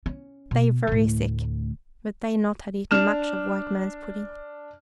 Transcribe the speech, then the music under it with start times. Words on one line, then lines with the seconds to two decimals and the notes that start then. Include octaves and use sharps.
They very sick, but they not had eat much of white man's pudding.
0.06 C#4
0.51 B2
0.87 D2 A2
2.91 D4 F6 E7